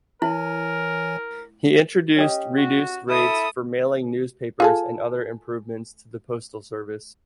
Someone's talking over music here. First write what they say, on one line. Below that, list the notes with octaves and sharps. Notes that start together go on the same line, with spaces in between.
He introduced reduced rates for mailing newspapers and other improvements to the postal service.
E3 E4 A#4 C#5 G#5
C#4 G4 D#5
F#4
E4 A4 D#6
F4 G#4 A4